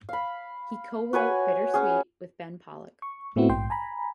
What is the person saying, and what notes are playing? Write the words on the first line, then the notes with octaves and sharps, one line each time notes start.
He co-wrote "Bittersweet" with Ben Pollack.
F5 B5
F#4 B4 C#5 G#5
C#4 G#4
C#6
A2 A3 B3 C4 E4 F#4
A#1 G#2 G5 C6
G#5 A#5 B5